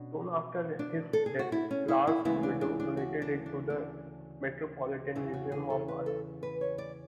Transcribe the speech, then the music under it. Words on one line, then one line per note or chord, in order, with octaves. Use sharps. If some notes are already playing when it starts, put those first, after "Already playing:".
Soon after his death, Clark's widow donated it to the Metropolitan Museum of Art.
Already playing: B2 C#4 D4
D4
A4
G#4
F#4
E4
C#4
E4
E4
D2 C#3 E3 G#3 B3 E4
D4
D4
D4
F#4
D4
D4
D4
E2 C#3 E3 E4
F#4
G#4
A4
B4
A4
B4
C#5
D5